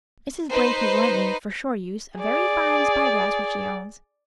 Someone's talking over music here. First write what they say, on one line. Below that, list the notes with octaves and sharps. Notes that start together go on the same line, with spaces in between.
Mrs. Blake has lent me, for shore use, a very fine spyglass which she owns.
D#4 B4 C5
G#4 D5